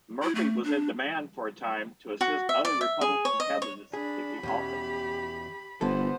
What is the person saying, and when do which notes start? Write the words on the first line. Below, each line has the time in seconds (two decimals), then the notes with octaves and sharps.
Murphy was in demand for a time to assist other Republican candidates seeking office.
0.23 E4
0.35 A3
0.64 D4
2.21 F#4
2.49 E5
2.65 D5
2.81 E5
3.01 G#4
3.25 C#5
3.40 D#5
3.62 C#5
3.93 D4 G#4 B5
4.43 E2 B2 C#4 G4
5.81 G1 D3 E3 B3 A4 C5